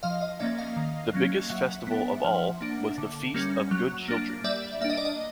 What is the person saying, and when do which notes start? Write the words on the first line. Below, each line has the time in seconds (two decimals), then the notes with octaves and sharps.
The biggest festival of all was the Feast of Good Children.
0.03 F3 D#5 F5
0.21 D#5
0.39 A#3 C#4 D5 E5
0.58 D#5 F5
0.76 D#3
1.13 F#3 A#3 C#4
1.49 F#3 E5 F#5
1.87 B3 D4
2.24 F3
2.61 A#3 D4
2.98 D3
3.34 G3 A#3 C#4
3.71 F#3
4.08 A#3 D4
4.44 G3 D5 E5
4.81 A#3 D4 E5
4.90 D#5
4.97 D5
5.05 D#5